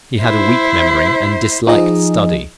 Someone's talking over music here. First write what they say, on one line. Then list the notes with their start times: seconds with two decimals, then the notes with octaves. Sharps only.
He had a weak memory, and disliked study.
0.21 E4 C5
1.67 F3 D#4 G#4 D#5